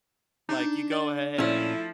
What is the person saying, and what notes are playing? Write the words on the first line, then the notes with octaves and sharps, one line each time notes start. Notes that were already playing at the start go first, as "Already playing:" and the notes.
Like, you go ahead,
D4 D#4
D5
A#2 F3 A3 C#4 E4